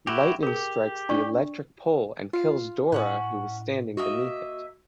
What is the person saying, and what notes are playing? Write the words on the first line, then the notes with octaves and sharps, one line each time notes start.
Lightning strikes the electric pole and kills Dora who was standing beneath it.
E4 F#4 G4
G4 G#4 A#4
D4 D5 C#6
F4 F5
A2 C#4 F#5 F#6
A#3 F#4 D#5 E5